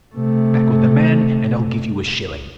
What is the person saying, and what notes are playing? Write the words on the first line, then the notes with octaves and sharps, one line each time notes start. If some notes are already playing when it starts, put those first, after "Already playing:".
Come back with the man, and I'll give you a shilling.
C3 A3